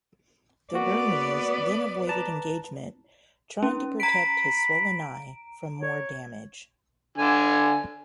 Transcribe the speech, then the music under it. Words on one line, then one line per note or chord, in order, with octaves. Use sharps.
The Burmese then avoided engagement trying to protect his swollen eye from more damage.
A#3 B3 F#4 D5
B4 A5 A#5
C#4 D#4
A#5 B5 D7
C#5
D3 G#5